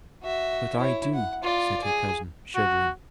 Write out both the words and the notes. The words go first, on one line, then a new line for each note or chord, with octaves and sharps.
'But I do,' said her cousin, shuddering.
F#4 E5
E4 C#5
F#5
F4 D5
G#4
F#4